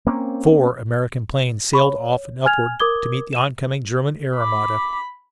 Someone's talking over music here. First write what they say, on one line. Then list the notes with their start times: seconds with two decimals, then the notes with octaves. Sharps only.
Four American planes sailed off and upward to meet the oncoming German air armada.
0.07 A#3 C4 C#4
1.74 B5 C#6
1.87 C#5
2.45 G#5 F6 G#6 F7
2.80 A#4 D6 D#6 G#6 G7
3.33 D#7 E7
4.36 B5 D6